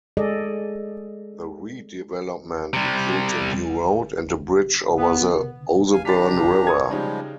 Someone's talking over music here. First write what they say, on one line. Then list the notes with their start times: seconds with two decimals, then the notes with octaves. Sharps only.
The redevelopment includes a new road and a bridge over the Ouseburn river.
0.17 G#3 G#4 A4 D5 D#5
2.73 C3 G3
4.97 B3
5.92 F5 G#5
6.05 D4 G4 A#5 A6 B6
6.37 F4 G#4
6.67 C#6 D#6 G#6
6.90 C#3 F3 G3 G#3 D#4 G4